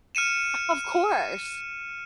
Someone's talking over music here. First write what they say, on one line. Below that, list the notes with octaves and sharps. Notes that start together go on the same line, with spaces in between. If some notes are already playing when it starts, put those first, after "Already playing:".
Of course.
F6 C#7 D#7 E7